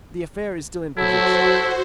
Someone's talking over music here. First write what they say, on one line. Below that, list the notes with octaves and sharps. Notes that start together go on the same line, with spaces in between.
"The affair is still in projection."
F#3 E4 F#4 A4 C5